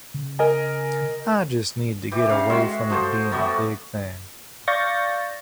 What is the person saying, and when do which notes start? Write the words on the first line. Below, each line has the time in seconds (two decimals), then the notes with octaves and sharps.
I just need to get away from it being a big thing.
0.14 C#3
0.39 A#4 D#5 G#5
2.11 E3 G4
2.29 C#3 F5
2.50 G#3 F#4 E5 C6
2.90 F3 F#4 A4 C5
3.32 G3 A3 B3 F#4
4.68 D5 F5 C#6 G6 A6 A#6